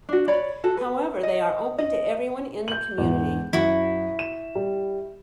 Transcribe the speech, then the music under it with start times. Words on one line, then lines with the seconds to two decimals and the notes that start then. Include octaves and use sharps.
However, they are open to everyone in the community.
0.09 D4 F#4
0.28 C#5 D5 B5
0.64 F#4 A4
0.77 B4
1.23 D#5
1.78 D#5
2.68 G6 F#7
2.98 E2 G#2
3.53 F#2 E4 F#4
4.19 E7
4.55 G3